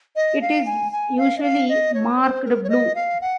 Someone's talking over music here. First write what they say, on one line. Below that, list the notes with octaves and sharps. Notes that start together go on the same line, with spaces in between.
It is usually marked blue.
D#5
F5
G#5
G#5
F5
D#5
F5
D#5
C#5
C5
A#4
C#5
D#5
F5
F#5